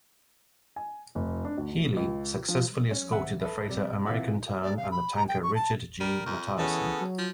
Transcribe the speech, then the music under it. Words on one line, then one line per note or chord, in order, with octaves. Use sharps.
"Healy" successfully escorted the freighter American Tern and the tanker Richard G. Matthieson.
G#5
F1
D4
D2
C#2
F3
C#4
G#1 E5 F#5
A4 B4 E5
C3 G3
C3 E3 F4 E5 F#5
D5
F5
B5
A#5
G5
C#6
A5
G3 A#4
F2
C#3 E3 B3 C#4 A4
F#3
F3